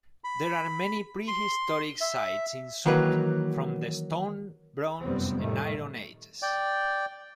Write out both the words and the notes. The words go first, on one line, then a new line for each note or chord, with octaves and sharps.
There are many pre-historic sites in Sund from the Stone, Bronze and Iron Ages.
B5
C6
E5
D#3 E3 F#3 A#3 B4
F1 F#2 G3 B3 C4
A2 D#3 G3 A3
D5 G5